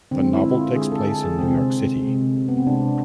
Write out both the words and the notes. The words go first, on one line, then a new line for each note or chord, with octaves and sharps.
The novel takes place in New York City.
D3 G#3 C4
E4
F4
D3 G#3 G#4
A4
A4
G#4
C3 G#3 C4
C3 G#3
B3
C4
C3 G#3 D4